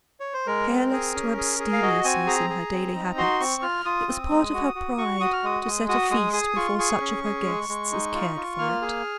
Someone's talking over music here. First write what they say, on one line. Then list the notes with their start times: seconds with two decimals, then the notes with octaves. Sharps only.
Careless to abstemiousness in her daily habits, it was part of her pride to set a feast before such of her guests as cared for it.
0.20 C#5
0.34 C5
0.47 G#3 A#4
0.69 C4
0.92 G#4
1.15 C#4
1.37 G#4
1.59 G#4
1.73 F5
1.82 F#4 D#5
2.05 C4 G#5
2.27 G#4 A#5
2.50 G#4
2.73 C4
2.96 D#4
3.18 F#4 C6
3.40 C4 C#6
3.62 F4 F6
3.85 F4 D#6
4.08 C4
4.30 G#3
4.54 F#4
4.75 F#4
4.98 F#4 C#6
5.20 F#4 D#6
5.33 F6
5.43 G#3 D#6
5.66 G#3
5.89 F#4 D#6
6.11 G#3 D#6
6.33 G#4 D#6
6.56 F4 C#6
6.79 G#4 C#6
7.01 C#4
7.24 G#4
7.46 G#3
7.69 G#3
7.92 D#4
8.14 F4
8.36 F4
8.59 A#3 F6
8.81 G#4